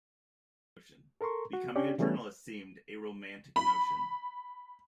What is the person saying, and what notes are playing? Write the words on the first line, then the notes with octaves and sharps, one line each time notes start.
Becoming a journalist seemed a romantic notion.
A4 A#4 A#5 C6 C#6
F#4
C#4 D4 G4 D5
C#3 E3 G3 A3 B3 C#4
B5